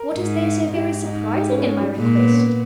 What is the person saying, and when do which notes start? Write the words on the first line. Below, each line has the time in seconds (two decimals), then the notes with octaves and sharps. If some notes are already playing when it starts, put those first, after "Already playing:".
"What is there so very surprising in my request?"
Already playing: A#4
0.14 G#2
0.75 G#2 G4
1.05 D#4
1.36 G4
1.51 C#4
1.60 B3
1.66 C#4
1.81 G3
1.97 A#2 G#3
2.17 B3
2.31 C#4
2.37 B3